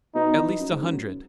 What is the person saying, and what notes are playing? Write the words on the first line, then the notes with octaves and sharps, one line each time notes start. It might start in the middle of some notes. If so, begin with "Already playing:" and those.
"At least a hundred."
B2 D#4
E3
F#2
G#2
F#2